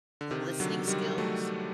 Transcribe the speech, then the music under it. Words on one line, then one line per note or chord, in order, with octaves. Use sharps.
listening skills,
D3
C3 D#3
D3 F#3
D#3 G3
F#3 A3